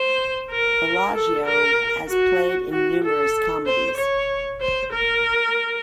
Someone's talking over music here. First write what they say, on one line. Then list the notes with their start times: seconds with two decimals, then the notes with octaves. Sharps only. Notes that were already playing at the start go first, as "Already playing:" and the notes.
Villaggio has played in numerous comedies.
Already playing: C5
0.51 A#4
1.14 A4
1.46 A#4
2.08 F#4
2.72 F#4
3.03 A4
3.66 C5
3.97 C#5
4.61 C5
4.92 A#4